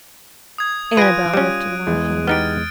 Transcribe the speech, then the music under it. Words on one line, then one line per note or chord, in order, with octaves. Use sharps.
Annabel lifted one hand.
D#6 G#6
F4 B4 G#5 F#6 A#6 D7 D#7
G3 C#4
E2 E3 G#3
B3 D#4 G4 F6 A6 D7